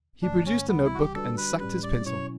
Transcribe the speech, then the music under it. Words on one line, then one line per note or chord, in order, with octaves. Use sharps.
He produced a notebook and sucked his pencil.
G2 D3 A3 D4
C#4
C#2 C#3 E3 G3 B3
E4
F#4
G4
D3 G3 D4 F#4 A4 B4
B4
A2 G3 C#4 G4 B4
D5
B2 F#3 C#4 E4 C#5